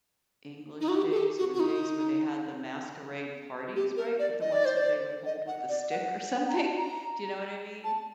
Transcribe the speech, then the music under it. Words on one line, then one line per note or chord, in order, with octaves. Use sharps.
English days, or days where they had the masquerade parties, right? With the ones with they would hold with the stick or something. Do you know what I mean,
D#4
F#4
G4
A4
G4
F#4
F#4
D#4
G4
A#4
D5
D#5
D5
C5
D5
D#5
F#5
D5
F#5
F#5
G5
A#5
A5
A#5
A5